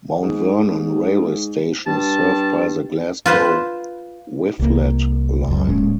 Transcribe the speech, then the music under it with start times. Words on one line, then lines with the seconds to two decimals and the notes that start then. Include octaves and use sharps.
Mount Vernon railway station is served by the Glasgow - Whifflet line.
0.23 G#2
1.87 G2 A5
3.26 F4 B4 C5
4.59 C2 A#3
5.48 C#2 F#2
5.69 D1 A#2 G#3 C#4